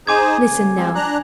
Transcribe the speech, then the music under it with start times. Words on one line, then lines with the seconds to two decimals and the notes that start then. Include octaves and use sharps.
Listen now.
0.07 D#4 G#4 C5 G#5 D6 G#6
0.49 C#3
0.76 F3 G#3 C4
0.95 D4 A#5 F#6